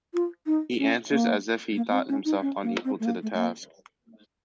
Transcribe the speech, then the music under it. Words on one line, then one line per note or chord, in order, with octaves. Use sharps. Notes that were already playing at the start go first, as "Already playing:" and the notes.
He answers as if he thought himself unequal to the task.
F4
D#4
C#4
A#3
A#3
A#3
C4
C#4
D#4
C#4
A#3
C4
A3
A#3
A3
A3
A#3